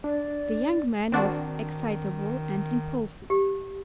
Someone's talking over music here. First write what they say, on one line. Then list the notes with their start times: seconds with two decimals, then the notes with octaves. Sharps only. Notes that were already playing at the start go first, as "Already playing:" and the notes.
The young man was excitable and impulsive.
0.04 D4 D5
1.12 D#3 C4 D4 F#4
3.30 G4